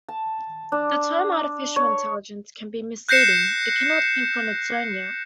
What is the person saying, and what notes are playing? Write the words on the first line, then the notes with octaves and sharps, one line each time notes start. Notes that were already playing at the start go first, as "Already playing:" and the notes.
The term Artificial Intelligence can be misleading, it cannot think on its own yet.
A5
D4
C#5
F#6 G6 A#6 C7 C#7 E7